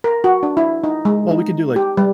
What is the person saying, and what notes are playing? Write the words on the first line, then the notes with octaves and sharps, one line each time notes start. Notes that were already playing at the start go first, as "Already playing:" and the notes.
Well, we can do, like,
A#4
F#4
D4
E4
D#4
G#3
D#4
G4
G3